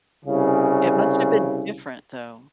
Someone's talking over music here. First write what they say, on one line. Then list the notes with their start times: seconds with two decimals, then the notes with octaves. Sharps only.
It must have been different, though.
0.25 C2 C#3